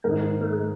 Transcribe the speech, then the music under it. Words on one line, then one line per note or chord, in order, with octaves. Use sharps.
sweet food,
G#2 D#3 A#4